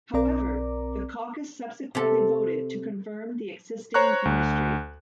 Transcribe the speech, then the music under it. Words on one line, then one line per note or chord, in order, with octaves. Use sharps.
However, the caucus subsequently voted to confirm the existing ministry.
B1 C4 A#4 D5 A#5 D6
C3 A4
C5 C#5 A#5 C#6 F#6
D2